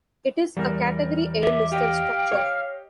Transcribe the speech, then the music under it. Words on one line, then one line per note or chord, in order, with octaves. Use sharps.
It is a Category A listed structure.
E2 G3 A#4
E5 D6
G4 D#5 F5 G5
C#5